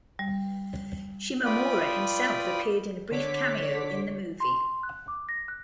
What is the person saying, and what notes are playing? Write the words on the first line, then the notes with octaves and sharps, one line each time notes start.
Shimomura, himself, appeared in a brief cameo in the movie.
G3
F4 B4 D5 G5 B5 D#6
D3 C#5 D6 B6
C6
F#6
D6
A#6
F#6